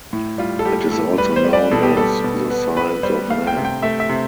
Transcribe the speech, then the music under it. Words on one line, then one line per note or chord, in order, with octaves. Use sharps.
It is also known as "the science of men".
A2
G3 F4
A4
G3 G4
A2 A4
G3 B4
C5
G3
D5
B2 A4
G4
G3 A4
B2
B3
B3 B4
G3 C5
A3 F5
G5
C3
G5
A3 E5
E5
C3